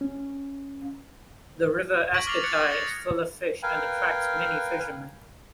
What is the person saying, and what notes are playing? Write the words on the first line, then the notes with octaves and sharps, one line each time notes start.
The river Escotais is full of fish and attracts many fishermen.
C#4
C#6 G#6 A#6 B6 D7 F#7
D6 F6 A6 C7 F7
F#6 G#6 A6 C#7 D7
C#6 D#6 A#6 F#7
F6 A#6 C#7 F7
A#4 B4 F5 G5 G#5